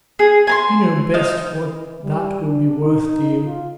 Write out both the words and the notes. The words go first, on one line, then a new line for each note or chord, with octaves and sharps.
You know best what that would be worth to you.
G#4
G#5 A#5 C6
D#4 F5
E3
G3
D4
D#4
F4